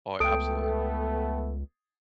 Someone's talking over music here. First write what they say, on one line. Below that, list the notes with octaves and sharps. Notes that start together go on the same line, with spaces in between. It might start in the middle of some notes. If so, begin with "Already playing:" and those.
Oh, absolutely.
C#2 A3 B3 A4 G5 D#6 D7